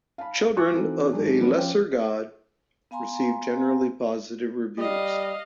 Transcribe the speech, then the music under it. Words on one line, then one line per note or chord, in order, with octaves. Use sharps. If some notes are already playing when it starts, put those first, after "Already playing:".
"Children of a Lesser God" received generally positive reviews.
F5 A5 B5
G#5 C#6 D6 F#6
E3 C4 D#4 F#4 A4
G#2 D#3 F#3 G#3 D4
F3 F#3 B3 D4 A#4
F3 C#4 C5 C#5 F5 G5
B3 F5 G#5 A#5 C6
G3 D#5 F5